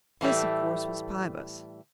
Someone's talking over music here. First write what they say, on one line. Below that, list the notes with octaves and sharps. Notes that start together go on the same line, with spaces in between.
This, of course, was Pybus.
A2 E3 G3 A3